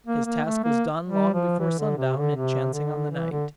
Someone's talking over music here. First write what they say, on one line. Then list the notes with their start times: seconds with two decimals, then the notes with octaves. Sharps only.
His task was done long before sundown in chancing on the knight.
0.07 A#3
0.26 A#3
0.45 A3
0.64 A#3
1.09 G3
1.34 F3
1.59 E3
1.79 D3
1.97 C3
2.17 D3
2.36 C3
2.73 D3
3.11 E3
3.31 D3